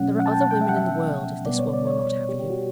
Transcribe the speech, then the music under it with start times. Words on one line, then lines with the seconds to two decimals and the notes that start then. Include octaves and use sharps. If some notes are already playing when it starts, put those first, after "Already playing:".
'There are other women in the world, if this one will not have you.'
Already playing: B2 F#3 A3 C#4 F#5
0.20 F#5
0.26 A5
0.31 G5
0.42 F#5
0.51 G5
0.61 E5
0.69 F#5
0.76 E5
1.45 B2 G3 B3 D5
1.59 C#5
1.73 D5
1.87 C#5
2.29 G4
2.39 G4
2.50 F#4